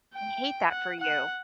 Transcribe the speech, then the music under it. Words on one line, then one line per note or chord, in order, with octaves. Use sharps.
I hate that for you.
G5
F#5
F#5